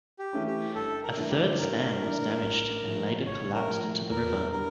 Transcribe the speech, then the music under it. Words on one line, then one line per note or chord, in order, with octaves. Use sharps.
A third span was damaged and later collapsed into the river.
G4
E3 A3 C#4
G4
G1 A4
A#4
G2 E3 A3 D4
G4
G1 A#4
G2 E3 A3 D4
A1
A2 F3
A1 C#5
A#4
A2 F3
E2 A#4
D3 G3 A#4